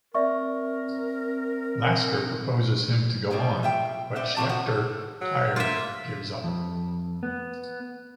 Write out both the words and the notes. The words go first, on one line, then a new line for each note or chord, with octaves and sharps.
Lasker proposes him to go on, but Schlechter, tired, gives up.
C4 A#4 D5 E5 C#6
B2 G3 A#3 B3
F4 E5 G5
C5 D5 E5 F#5
A#2 A#3 C4 F#4 G4 A5
F3 F#4
F#3
A#3 F4 E5
F2
B3